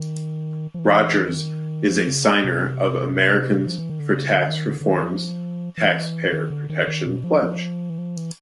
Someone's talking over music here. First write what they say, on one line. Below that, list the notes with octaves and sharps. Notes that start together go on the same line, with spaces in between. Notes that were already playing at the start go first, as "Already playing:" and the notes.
Rogers is a signer of Americans for Tax Reform's Taxpayer Protection Pledge.
Already playing: D#3
F3
E3
E3
D#3
F3
C#3
C3
F3
E3
D#3
D3
C#3
D3
D#3
D3
D3
D#3
F3
E3
D#3
D3
D#3
D#3
B2
F3
F3
E3
F3
E3